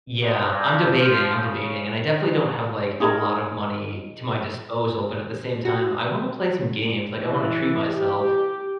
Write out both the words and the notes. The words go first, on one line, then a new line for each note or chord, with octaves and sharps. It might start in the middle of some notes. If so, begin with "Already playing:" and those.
Yeah, I'm debating, I'm debating. And I definitely don't have, like, a lot of money to my disposal, but at the same time, I wanna play some games. Like, I wanna treat myself.
G#2
G2
F3
C#3
D#4 G#4 A#4
F#4
E3
G4